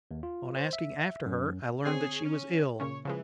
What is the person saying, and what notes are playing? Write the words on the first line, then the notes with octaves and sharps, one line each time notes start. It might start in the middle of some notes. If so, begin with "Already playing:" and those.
On asking after her I learned that she was ill.
D#2
F4
C5
E5
F#2
D3 C4 G#4 C#5
C#4
A#2 C#3 C#4 C#5
C#3 E3 F3 G#3